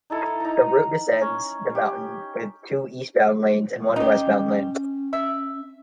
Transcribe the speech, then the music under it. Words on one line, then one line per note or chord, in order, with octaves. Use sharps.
The route descends the mountain with two eastbound lanes and one westbound lane.
D#4 E4 A4
D#4 A#5
C#4
G4
C#4 D#4 G4
E5